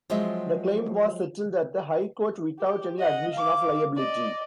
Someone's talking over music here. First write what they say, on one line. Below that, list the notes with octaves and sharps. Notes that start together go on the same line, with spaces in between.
The claim was settled at the High Court without any admission of liability.
F3 F#3 G#3 C4 D#5 E5
G4
D#5 F#5
F5 D6
D5 D#5